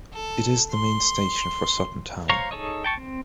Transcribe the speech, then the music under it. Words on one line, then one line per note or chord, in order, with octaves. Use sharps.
It is the main station for Sutton town.
A4
C6
C5 C#5 F5 A#5 C#6
D#4 G#4 A4 C#5 D#5
G5 A5 C#6
C4